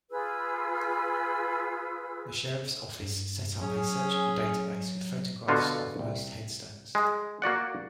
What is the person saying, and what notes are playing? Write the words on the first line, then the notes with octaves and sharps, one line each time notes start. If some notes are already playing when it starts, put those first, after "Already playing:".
The sheriff's office set up a searchable database with photographs of most headstones.
F4 G#4 B4 E6
G2
F#3 C#4 G#4
B2 D3 F4 F#4
C2
G#3
A#3 F#4 D5 F#5